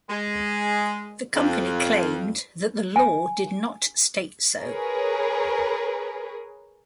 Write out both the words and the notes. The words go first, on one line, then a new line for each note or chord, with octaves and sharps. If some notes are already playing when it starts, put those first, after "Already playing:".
The company claimed that the law did not state so.
G#3
F2
G#5
G#4 A#4 B4 C#5